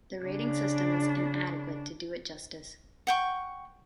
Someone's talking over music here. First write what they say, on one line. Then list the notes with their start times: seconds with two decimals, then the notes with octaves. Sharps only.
The rating system is inadequate to do it justice.
0.21 C#3 D4
3.07 F#5 G5 C#6